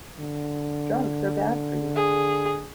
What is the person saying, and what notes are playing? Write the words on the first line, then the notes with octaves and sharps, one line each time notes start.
Drugs are bad for you.
D3
G#4